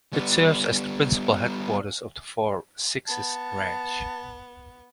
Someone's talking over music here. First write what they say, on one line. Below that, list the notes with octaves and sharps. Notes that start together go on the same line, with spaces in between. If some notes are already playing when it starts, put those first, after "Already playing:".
It serves as the principal headquarters of the Four Sixes Ranch.
G3 B3
B3 A5